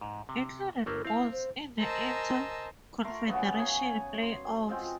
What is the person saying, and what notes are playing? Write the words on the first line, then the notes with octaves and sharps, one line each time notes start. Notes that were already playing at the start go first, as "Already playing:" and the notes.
Included goals in the Inter-confederation play-offs.
G#2
C3
G1 A3 A#3 A#4
C4 E4 F5
C5
A#4 C5 D#5 G#5 A5 E6
A3 A#4 C6
C#3 F#3 B3
C#3 G#5 C#6
C6
G#3 C4 F4 G5